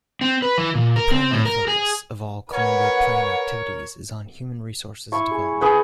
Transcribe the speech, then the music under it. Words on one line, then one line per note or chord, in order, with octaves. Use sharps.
The primary focus of all Colombo Plan activities is on human resources development.
C4
B4
E3
A#2
A#4
C4
A2
A#4
G#4
A#4 B4 C#5 F#5
E4 C#6
G#4
G#4 B4 G5